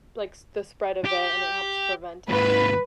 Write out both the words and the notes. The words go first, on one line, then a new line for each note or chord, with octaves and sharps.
like, s the spread of it, and it helps prevent it.
G4
D#2 G#2 B4